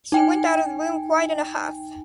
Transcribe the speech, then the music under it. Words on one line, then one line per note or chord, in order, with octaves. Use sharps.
She went out of the room quite in a huff.
D#4 G5 G#5